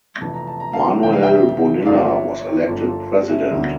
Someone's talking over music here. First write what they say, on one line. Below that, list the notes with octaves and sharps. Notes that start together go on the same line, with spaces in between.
Manuel Bonilla was elected president.
F1 F2 E3 A5
A#5
A5
A#5
F5 A5
F1 F2 E3 G5
F5
E5 G5
G1 G2 F3 A#3 D5 F5
C#5 E5
C#5
G4 A#4
G1 G2 F3 A#3 F4 A4
F4 A4
C#4 E4
E1 D2 D3 G3 A#3